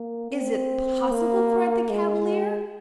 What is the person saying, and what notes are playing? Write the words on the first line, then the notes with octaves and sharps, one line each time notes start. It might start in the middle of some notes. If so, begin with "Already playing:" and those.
"Is it possible?" cried the Cavalier.
Already playing: A#3
C4
A#3
G#3